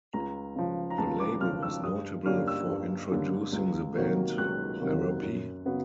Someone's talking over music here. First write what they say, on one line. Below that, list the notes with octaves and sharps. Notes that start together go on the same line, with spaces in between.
The label was notable for introducing the band Therapy?
C#2 A#5
C#3 F3
A#5
C#2 A5
D6
C#3 F3 F6
E6
G2 D#6
D3 G3 A#3 C#4 F6
E6
G2
D3 G3 A#3 C#4
C#2
C3 D#3 F#3 A#3
C#2 F#6
C3 D#3 F#3 A#3
F#2
C#3 F#3 B3